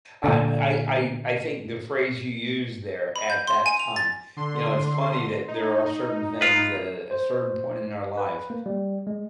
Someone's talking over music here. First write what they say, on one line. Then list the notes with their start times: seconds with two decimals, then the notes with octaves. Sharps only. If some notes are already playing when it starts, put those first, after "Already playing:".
I I I I think the phrase you used there, "at that time," you know, it's funny that there are certain things that at a certain point in our life,
0.24 A#2 D3
3.16 B5
3.30 G6
3.47 C6
3.66 G#5
3.80 F7
3.96 A6
4.36 D3 C6
5.48 D#4
6.41 F4 B4
7.11 C5
8.17 B4
8.50 A#3
8.66 G3
9.07 G#3